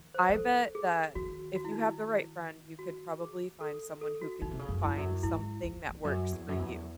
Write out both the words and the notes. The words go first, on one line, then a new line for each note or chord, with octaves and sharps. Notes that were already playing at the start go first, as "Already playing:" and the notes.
I bet that if you have the right friend, you could probably find someone who can find something that works for you.
Already playing: D#3
C5
D#3
E3 A4
G#4
D#3 F#4
F#4
E4
D#4
E4
F#4
G#4
A4
A4
F#4
C#3 D#4
C3
C#3
F#2
E2 E4
F#2
G#2 E4
E2
E2
F#2
E2
F#2
E2